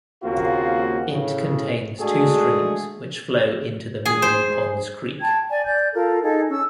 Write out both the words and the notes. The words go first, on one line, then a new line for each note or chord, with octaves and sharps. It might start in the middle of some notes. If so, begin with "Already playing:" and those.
It contains two streams which flow into the Moonee Ponds Creek.
D#2 C#3 A#3 C4 F4 F#4
A2 C#3
G#3 A3 D4 F#4 G#4
G#4
C5
G5 A5 G#6
D5 G#5
D5 G6
F4 A4 A#4
D#4 G#4 A4
C#4 E6